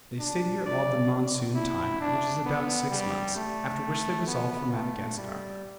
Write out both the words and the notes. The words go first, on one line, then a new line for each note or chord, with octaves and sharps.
They stayed here all the monsoon time, which is about six months; after which they resolved for Madagascar.
D4
D5
E4
D4
B3
G3
A3
B3
A3
G3